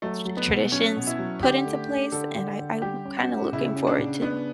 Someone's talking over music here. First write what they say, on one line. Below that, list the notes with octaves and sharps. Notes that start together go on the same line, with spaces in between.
s traditions put into place, and I I'm kinda looking forward to
F#3 A3
F#3
B3
B2
F#3 C#4
B2
E4
F#3
D3 G4
A3
D4
D3 A4
D3
D3
G3 G4
C#4
F#4
C#4
C#3 E4
C#4
D4
C#3
B3 D4